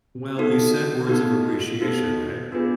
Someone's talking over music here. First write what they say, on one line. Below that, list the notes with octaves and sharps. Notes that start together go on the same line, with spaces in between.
Well, you said words of appreciation, right?
B3 D#4 F#4 A4
B3 D#4 F#4 A4
B3 D#4 F#4 A4
B3 D4 F4 G#4 B4